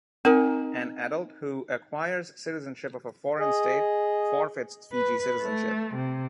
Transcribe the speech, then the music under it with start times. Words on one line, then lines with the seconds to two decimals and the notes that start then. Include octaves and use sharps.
An adult who acquires citizenship of a foreign state forfeits Fiji citizenship.
0.25 C4 D#4 A#4 G#5
3.40 G#4 D#5
4.93 B4
5.41 A3
5.95 C3